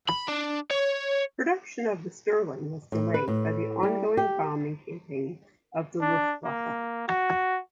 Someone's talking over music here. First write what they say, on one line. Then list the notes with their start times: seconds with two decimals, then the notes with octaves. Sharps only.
Production of the Stirling was delayed by the ongoing bombing campaign of the "Luftwaffe".
0.09 B5
0.28 D4
0.70 C#5
2.92 A2
3.14 B4
3.28 A2
3.83 G3
4.17 G4
6.01 D4
6.45 A#3
7.08 F#4